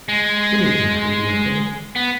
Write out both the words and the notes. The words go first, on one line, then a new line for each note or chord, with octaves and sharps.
But it mattered nothing.
G#3
B3